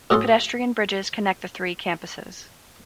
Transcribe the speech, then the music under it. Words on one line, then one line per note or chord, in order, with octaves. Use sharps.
Pedestrian bridges connect the three campusess.
A2 F#4 G#4 A4 C6